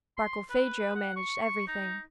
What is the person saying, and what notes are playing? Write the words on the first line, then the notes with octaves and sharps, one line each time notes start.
Barkilphedro managed everything.
C6
B4
F#5
C#6
C#6
D#4